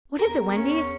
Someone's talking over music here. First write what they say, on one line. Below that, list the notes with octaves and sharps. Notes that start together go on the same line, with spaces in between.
"What is it, Wendy?"
E2 A#4
C#4